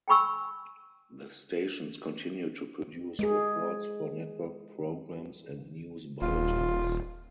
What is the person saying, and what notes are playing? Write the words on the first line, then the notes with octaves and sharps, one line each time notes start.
The stations continued to produce reports for network programs and news bulletins.
G5 G#5 B5 C#6 E6
G#3 G#4
D#1 F4